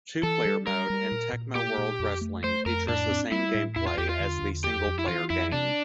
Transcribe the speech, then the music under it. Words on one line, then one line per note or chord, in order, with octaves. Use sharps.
Two-player mode in "Tecmo World Wrestling" features the same gameplay as the single-player game.
E3 A4
G3
G3 A#4
G3
A#2
A#2
A#3 G4
A#2
F2
A3
A3 C5
F2 A#4
A2 D4
C4
G3 E4
A2
E2 E4
F4
E2 G4
F4
D3
E2
F2 G4
F2
E4
E3 F4
F2 E4
C3 D4